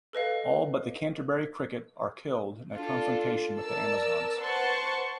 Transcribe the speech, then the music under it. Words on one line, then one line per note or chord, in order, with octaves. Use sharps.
All but the Canterbury Cricket are killed in a confrontation with the Amazons.
A4 B4 D#5 F5
D4 F4 A4
A#4 D5 A5 E6
B4 C5 F#5 A5 C6 C#6